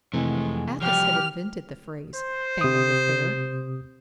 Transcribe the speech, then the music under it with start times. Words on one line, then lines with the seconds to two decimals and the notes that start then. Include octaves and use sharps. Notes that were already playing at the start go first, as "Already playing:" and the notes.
Athos had invented the phrase, family affair.
0.14 F2 C3 E3 G#3 A3 E4
0.82 F3 G3 G4 F6
2.14 C5
2.61 C3 D#6